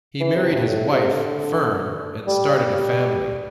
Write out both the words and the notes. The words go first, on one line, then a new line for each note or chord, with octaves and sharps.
He married his wife, Fern, and started a family.
E3
C3
G2
A2
C3
D3
G3
G3